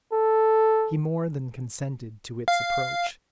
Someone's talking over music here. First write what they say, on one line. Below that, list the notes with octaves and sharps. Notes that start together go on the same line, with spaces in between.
He more than consented to its approach.
A4
F5